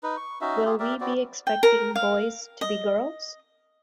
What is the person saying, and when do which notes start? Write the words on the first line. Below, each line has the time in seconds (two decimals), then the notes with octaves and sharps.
Will we be expecting boys to be girls?
0.03 D#4 B4
0.17 C#6
0.41 C#4 D#4 F#4 E5
0.65 F4 G4 G#4
0.80 G4 A#4 D5 E5
1.01 B3 C4 F#4 D5
1.47 G5
1.63 A#4
1.96 F5
2.61 D#5